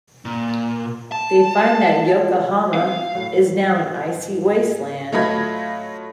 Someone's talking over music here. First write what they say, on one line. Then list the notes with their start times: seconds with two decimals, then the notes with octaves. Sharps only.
They find that Yokohama is now an icy wasteland.
0.25 A#2
1.12 A5
2.74 C4 E4 F4 F5
3.15 A2 F#3
5.12 F#3 A3 F4 D#5 B5 G#6